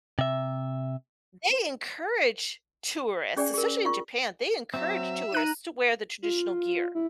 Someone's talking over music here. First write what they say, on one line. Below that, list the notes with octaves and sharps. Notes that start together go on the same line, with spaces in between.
they encourage tourists, especially in Japan, they encourage tourists to wear the traditional gear,
C3 E5
C#4 G#4 D5 G5 G#5
G#4 A#4
F4 C#6
F#3 C4 E5
D#4 A#5 F#6 D#7
F4
E4